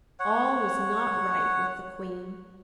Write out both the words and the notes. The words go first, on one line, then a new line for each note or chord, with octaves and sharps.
All was not right with the Queen.
C#5 F#5